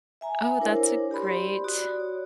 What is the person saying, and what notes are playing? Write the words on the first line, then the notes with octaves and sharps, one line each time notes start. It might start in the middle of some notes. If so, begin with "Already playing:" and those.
Oh, that's a great
E5 G#5 A#5
D4 E4 A#4 C5 C#5
G4 D5 B5 C6
F#4 D5 D#6
C#5